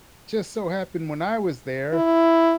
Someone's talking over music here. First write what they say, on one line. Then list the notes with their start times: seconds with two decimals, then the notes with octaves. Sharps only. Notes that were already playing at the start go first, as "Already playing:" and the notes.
just so happened when I was there,
1.93 E4